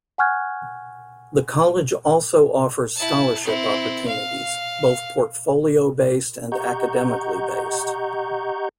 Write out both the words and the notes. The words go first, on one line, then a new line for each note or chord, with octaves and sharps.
The college also offers scholarship opportunities, both portfolio-based and academically-based.
F#5 G#5 C#6 F6 F#6 G#6
E4 A5
C4 E4
F5
G4 D#5 F#5 A#5 C#6 G6